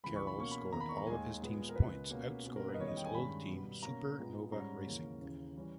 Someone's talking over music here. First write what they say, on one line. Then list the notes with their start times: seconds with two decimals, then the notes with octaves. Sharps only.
Carroll scored all of his team's points, outscoring his old team Super Nova Racing.
0.04 C#2 C#3 E3 B5
0.16 C#6
0.27 B5
0.37 B2 A#3 C#4 C#6
0.51 B5
0.72 E2 D#3 A#3 A#5
0.80 B5
0.89 C#6
0.98 A#5
1.07 D#2 D#3 G#3 G#5
1.41 A#2 G#3 B3
1.69 A#4
1.75 C#2 C#3 G#3 B4
2.10 B2 A#3 C#4
2.45 B2 A#3 C#4
2.56 A#4
2.69 B4
2.74 D#5
2.80 E2 D#3 G3 C#4 C#5
2.88 D#5
2.97 G5
3.05 G#5
3.14 G2 D#3 G#3 C#4 B5
3.49 B2 G3 B3
3.82 B2 A#3 C#4 A#5
4.18 A#2 G#3 B3
4.52 G#2 G3 C#4 A#5
4.87 D#2 C#3 E3 A#3 C#4
5.21 D#2 C#3 E3
5.57 E3 G3 C#4